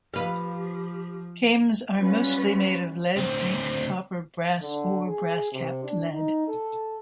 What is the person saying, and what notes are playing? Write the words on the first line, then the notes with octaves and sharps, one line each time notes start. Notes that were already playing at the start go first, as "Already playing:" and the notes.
Cames are mostly made of lead, zinc, copper, brass or brass-capped lead.
F3 G4 B4 F5
F#3 G3 B3 C#4 F4 B4
D2 C4
D3
G#4
C3
D4
D#4
A4